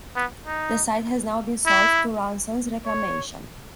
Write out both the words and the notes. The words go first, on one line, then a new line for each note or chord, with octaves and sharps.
The site has now been sold to Ronsons Reclamation.
B3
D#4
E4
C#5